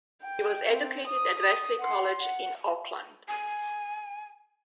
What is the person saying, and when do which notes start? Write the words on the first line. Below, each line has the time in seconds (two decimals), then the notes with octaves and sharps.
He was educated at Wesley College in Auckland.
0.23 G5
0.71 C4
1.07 D#6
1.39 D#6
1.80 F#5 C6
2.21 F#5
3.28 G#5